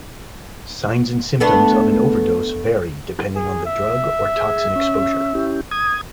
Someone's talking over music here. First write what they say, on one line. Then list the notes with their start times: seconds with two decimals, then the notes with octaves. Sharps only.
Signs and symptoms of an overdose vary depending on the drug or toxin exposure.
1.40 A3 B3 D4
3.36 G#4
3.66 E5
4.36 G#4
4.76 C#4
5.35 C#4 E4 G4
5.71 D#6 G#6